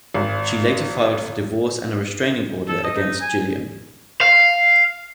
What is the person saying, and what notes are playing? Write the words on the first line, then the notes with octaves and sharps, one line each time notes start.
She later filed for divorce and a restraining order against Gilliam.
G#1
A4
D#5
D#4
G#5
F5